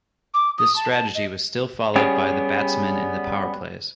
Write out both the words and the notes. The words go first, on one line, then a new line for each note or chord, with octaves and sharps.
This strategy was still followed by the batsmen in the Powerplays.
D6
D#6
A5
A5
D#5
G3 B3 C#4 G4 G#4